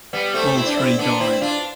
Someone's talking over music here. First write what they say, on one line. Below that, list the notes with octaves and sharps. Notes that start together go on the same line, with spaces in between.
All three died.
G3 B3
A3 C4
C4 E4
D4
C4 E4
B3 D4
C4 E4
D4 F4